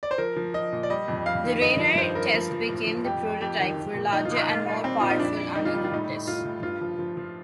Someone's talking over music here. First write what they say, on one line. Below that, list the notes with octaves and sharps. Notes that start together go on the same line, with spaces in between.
The "Rainier" test became the prototype for larger and more powerful underground tests.
D5
C5
F3 A#4
F3
F3 D#5
A#2
D5
G3 D#5
F2
F2 F5
D#3
G2 D#5
F3
G2 C5
G2 A#4
F3
F3
A2
F3
F2 G4
F2
F2 G4
D#3
F3
A#2
F3 D#4
F4
F3
D#4
A#2
G3
G3 C4
A#2 F4
D#4
F2 D4
G3
D#3 D#4
F4
G3 D#4
F4
A2 D#4
A2
A2 F4
A2
G2 F4
F3
F3
F3